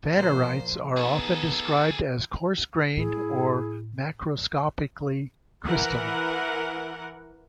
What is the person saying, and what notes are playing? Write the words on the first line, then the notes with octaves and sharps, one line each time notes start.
Phanerites are often described as "coarse grained" or "macroscopically crystalline".
A#2 F3 C5
B3 D#4 G#4 A4
A2 E4 G#4
E3 A#4 F#5